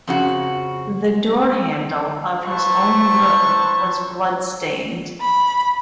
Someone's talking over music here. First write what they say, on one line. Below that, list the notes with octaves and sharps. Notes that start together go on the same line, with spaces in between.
The door-handle of his own room was blood-stained.
F2 C#3 F#4
E4 B4 C5 A5 C#6
B5